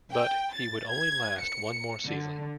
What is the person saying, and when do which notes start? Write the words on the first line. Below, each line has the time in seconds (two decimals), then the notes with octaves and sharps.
But, he would only last one more season.
0.12 G5
0.53 A6
0.90 G#6
1.41 C#7
2.05 D3